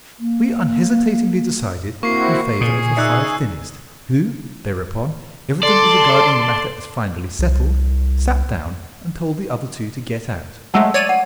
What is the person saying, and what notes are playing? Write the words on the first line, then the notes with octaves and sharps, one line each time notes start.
We unhesitatingly decided in favour of the five thinnest, who, thereupon, evidently regarding the matter as finally settled, sat down, and told the other two to get out.
A#3
A#3 C4 E4 F#4 C#6 C7
A#2 G#4 D#6
D#4 D5 E5 E6 F#6 C#7
A4 D5 A5 C6
C2
F#3 G#3 A3 F#5 A5 E6
C#5 D5 D#7
F#5